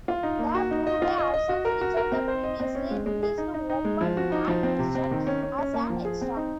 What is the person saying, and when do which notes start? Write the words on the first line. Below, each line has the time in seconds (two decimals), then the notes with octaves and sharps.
The Blu-ray also featured the previously released open matte version as an extra.
0.08 F4
0.23 D#4
0.39 A#3
0.55 F#4
0.71 D#4
0.87 D#5
1.02 F4
1.18 D#5
1.34 D#5
1.49 F#4
1.65 A#4
1.81 F#4
1.97 A#4
2.12 C4
2.28 C5
2.44 D#5
2.60 C4
2.75 C#4
2.91 G#3
3.06 G#3
3.23 G#4
3.38 D#4
3.54 D#4
3.70 D#4
3.85 G#3
4.01 F3
4.17 F#4
4.32 D#4
4.48 F3
4.63 C4
4.79 C3
4.95 C4
5.11 D#3
5.27 C#4
5.42 C#4
5.58 C#4
5.74 A#3
5.90 F3
6.05 G#4
6.21 C4
6.36 D#4